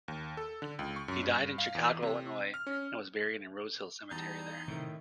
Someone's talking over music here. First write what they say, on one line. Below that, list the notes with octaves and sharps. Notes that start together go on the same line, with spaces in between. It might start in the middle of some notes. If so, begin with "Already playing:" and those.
He died in Chicago, Illinois, and was buried in Rosehill Cemetery there.
D#2
A4
D3
C#2
C#6
F#2
G2
F5
E2
C3
F6
C#4
E2 G3 D4 D#4 A6
A2 C3 D#3 E5